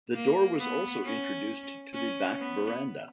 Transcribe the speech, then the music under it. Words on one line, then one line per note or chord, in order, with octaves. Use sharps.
A door was also introduced to the back verandah.
A#3
B3
C#4
C#4
B3